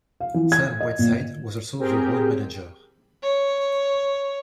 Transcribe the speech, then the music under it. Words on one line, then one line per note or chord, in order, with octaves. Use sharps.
Sam Whiteside was also the road manager.
F5
E3
G#6
D#5
A#2
C4 G4 G#4 A#4 G5
C#5